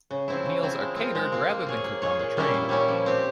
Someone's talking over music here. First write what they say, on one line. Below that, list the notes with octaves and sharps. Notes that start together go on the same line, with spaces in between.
Meals are catered rather than cooked on the train.
C#3
F3 C4 E4
C#3
F3 C4 E4
G#3
C4 F4 A#4
G#3
C4 F4 A#4
A#3
F4 G#4 C#5
A#3
F4 G#4 C#5
A#2
G3 A#3 C#4 E4
A#2
G3 A#3 C#4 E4
F3
C4 G4